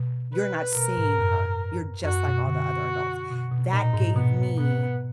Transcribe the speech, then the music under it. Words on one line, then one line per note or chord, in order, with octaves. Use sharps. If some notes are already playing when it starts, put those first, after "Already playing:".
"You're not seeing her. You're just like all the other adults." That gave me
Already playing: B2
B4
B2 A#4
G#2
F#2
F#2 F#4
B2
D3 F#4
B2
B2
A#2 D#4
G#2
B2 B3
B2 B3